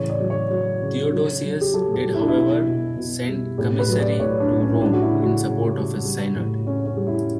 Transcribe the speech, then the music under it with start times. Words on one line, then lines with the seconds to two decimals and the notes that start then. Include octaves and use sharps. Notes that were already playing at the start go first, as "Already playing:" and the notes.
Theodosius, did however, send commissaries to Rome in support of his synod.
Already playing: A2 C#3 E3 C#5
0.10 D5
0.20 F#3
0.30 C#5
0.50 F#3
0.82 C#3
1.12 F#3
1.43 F#3
1.61 G4
1.74 F#3 A4
1.94 G4
2.04 F#3
2.14 E4
2.21 D4
2.28 E4
2.36 B2
2.66 B2
2.97 B2
3.28 G3
3.58 A2 G4
3.79 B4
3.89 F#3
4.00 D5
4.20 A2 C#5
4.40 D4
4.51 A2
4.61 C#4
4.74 E4
4.82 G3 D4
4.93 F#4
5.02 E4
5.12 C#3
5.22 F#4
5.43 C#3
5.73 G3
6.04 G3
6.36 A2
6.66 A2 C#4
6.86 C#4
6.96 G3
7.07 E4